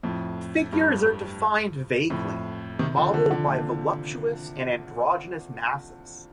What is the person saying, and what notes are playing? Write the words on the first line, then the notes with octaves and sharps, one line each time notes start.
Figures are defined vaguely, modeled by voluptuous and androgynous masses.
F2 A2
G2
F2 A2
C3 D#3
D3 F3
D3 F3
D3 F3
A#2 D3